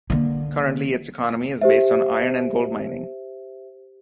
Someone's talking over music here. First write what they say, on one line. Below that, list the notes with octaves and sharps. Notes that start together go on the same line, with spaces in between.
Currently its economy is based on iron and gold mining.
D3 A#3
G4 C5 E5